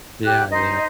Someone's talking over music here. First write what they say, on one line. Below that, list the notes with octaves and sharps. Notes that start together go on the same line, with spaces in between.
Yeah, yeah.
G4 F#6
D#4 C5 D#5